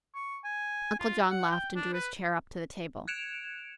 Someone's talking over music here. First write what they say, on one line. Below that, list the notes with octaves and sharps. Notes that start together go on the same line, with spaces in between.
Uncle John laughed and drew his chair up to the table.
C#6
G#5
F4
F#5
G5
D4
B4
F#6 G#6 C#7 D7 E7 F7